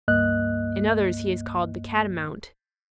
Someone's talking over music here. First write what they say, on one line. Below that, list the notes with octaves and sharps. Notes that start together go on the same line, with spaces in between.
In others he is called the Catamount.
C#2 G2 A#3 D#5 F#6